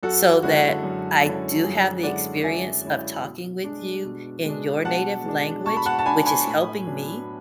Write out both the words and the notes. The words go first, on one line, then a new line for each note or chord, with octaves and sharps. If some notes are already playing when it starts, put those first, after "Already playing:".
so that I do have the experience of talking with you in your native language which is helping me"
F#2 F#4 A4
D3 G#3 C#4 E4 F#4
F#2
D3 G#3 C#4 E4
F#2 G#4
D3 G#3 C#4 E4 D5 F#5
F#2 E5 G#5
D3 G#3 C#4 E4
B2
G#3 D4
B2
G#3 D4
B2 F#5 A5
G#3 D4
B2 A5 C#6
B5
F#5 A5
A5
G#3 D4 G#5 B5
G#5 B5
A2
F#3 B3 D4